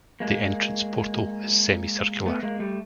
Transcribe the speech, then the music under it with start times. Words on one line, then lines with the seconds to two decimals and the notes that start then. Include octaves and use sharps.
The entrance portal is semicircular.
0.20 G#3 A#3
2.26 A3 B3
2.43 G#3 A#3
2.60 G3 A3